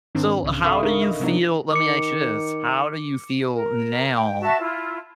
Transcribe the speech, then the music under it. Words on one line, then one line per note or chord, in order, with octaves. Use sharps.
So, how do you feel let me ask you this. How do you feel now
G#2 D#3 C4 D4
C2 C#3
A4 E5 F5 B5 C#6 D#6
D4 D#4 A#4
D#5
C3 F#3 B3 D4 D#4
D#3 D6 C#7
A#4
G5
F#4 E5 A5
E4 F4